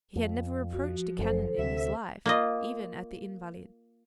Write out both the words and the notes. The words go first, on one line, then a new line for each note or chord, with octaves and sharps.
He had never approached a cannon in his life, even at the Invalides.
F2
F3 F#4
F#1 F#2 A4 C5
D2 C3 E5
A#3 F4 D#5